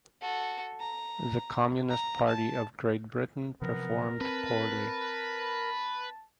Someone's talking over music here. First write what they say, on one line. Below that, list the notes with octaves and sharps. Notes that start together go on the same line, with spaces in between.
The Communist Party of Great Britain performed poorly.
F#4 A4
A#5
A#5
A5
C3 F3 F#3 B3 A#4
C4 B4 A5